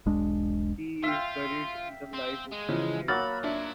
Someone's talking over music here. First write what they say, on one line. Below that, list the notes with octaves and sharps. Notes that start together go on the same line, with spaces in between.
He is buried in the Live Oak Cemetery.
E1 B1 G#3 D4
F4 E5 F5 G5
C4
G#3
C#3 E3 F3
F#3 A#3 F#4 B5 F6 A6
D4 F4 E5